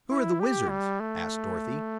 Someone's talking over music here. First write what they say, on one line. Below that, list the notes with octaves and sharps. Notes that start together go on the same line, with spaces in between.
"Who are the wizards?" asked Dorothy.
E4
G4
G3
A3